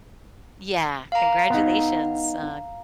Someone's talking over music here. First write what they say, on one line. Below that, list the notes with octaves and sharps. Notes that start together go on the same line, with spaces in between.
Yeah, congratulations on
F5 A#5
B3 D#4